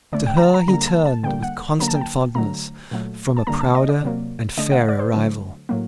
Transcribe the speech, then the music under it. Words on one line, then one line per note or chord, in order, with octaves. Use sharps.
To her he turned with constant fondness from a prouder and fairer rival.
D3 A3 D5
G5
A#5
A5
A#5
D3 G3 A#3 A#5
A5
A5
D3 G3 A#3 G5
F#5
D3 F#3 A#3 A#5
A5
G5
A5
D3 F#3 A3 A#5
A#2 F#3 A3
A5
D3 G3 A#3 A#5
A5
D#5
D5
C3 F#3 A#3
D3 A3 D#5
F#5
D5
C5
D3 F#3 A3
A2 F#3 A#3